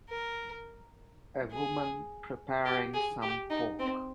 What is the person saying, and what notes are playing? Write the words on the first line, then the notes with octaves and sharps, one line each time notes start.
A woman preparing some pork.
A#4
G#4
G4
G#4
G4
D#4
C4